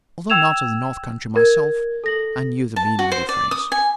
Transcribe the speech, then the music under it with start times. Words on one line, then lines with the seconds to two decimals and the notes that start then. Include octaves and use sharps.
Although not of the north country myself, I knew the meaning of the phrase.
0.30 G5 E6 G#6 E7 F7
1.36 A#4 G#6
2.04 A4 A#6 F#7
2.76 A5
2.99 F#4
3.12 C5
3.29 D5
3.51 D#6
3.72 G#5